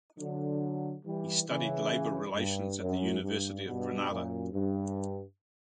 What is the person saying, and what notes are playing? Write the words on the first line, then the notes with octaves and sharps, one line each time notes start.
He studied labor relations at the University of Granada.
D3 F#3
E3 G3
C#3 E3
G2
F#2
G2
G2 B2
F#2 A#2
G2